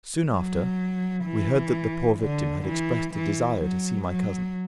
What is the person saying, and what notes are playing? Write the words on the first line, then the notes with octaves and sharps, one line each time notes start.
Soon after we heard that the poor victim had expressed a desire to see my cousin.
F#3
E3
D3
E3
E3
F#3
F#3